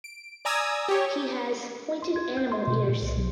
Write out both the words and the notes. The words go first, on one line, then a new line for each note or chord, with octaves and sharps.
He has "pointed animal ears".
D7
D5 G#5 A#5 D#6 E6 G#6
G4 C#5
C6
G#6
G6
C6
B2
A#2
C2
B1